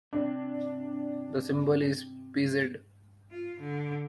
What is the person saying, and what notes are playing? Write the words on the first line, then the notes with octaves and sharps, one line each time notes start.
The symbol is pz.
C3 D4
F4
D3